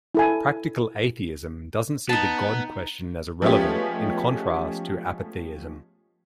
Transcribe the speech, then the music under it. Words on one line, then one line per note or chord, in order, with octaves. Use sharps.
Practical atheism doesn't see the god question as irrelevant, in contrast to apatheism.
E4 A4 G#5
B3 D#4 A5
F3 G#3 A3 B3 C#4 G4